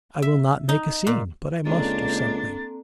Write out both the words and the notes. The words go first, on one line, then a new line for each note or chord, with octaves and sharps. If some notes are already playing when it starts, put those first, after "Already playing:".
'I will not make a scene, but I must do something....
E5
D#4
A#2
C#2 A#3 C4 D4 A4 A#5 A6